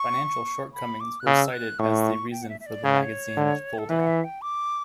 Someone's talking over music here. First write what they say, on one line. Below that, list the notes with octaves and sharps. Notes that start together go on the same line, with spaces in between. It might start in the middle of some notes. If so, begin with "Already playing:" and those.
Financial shortcomings were cited as the reason for the magazine folding.
Already playing: C#6
B5
D6
F#6
C#3 E6
F#6
A2 C#6
G5
F#5
E5
E5
D5
C#3 C#5
B4
C#5
D3
A4
E3 B4
F#5
E5
G5
D6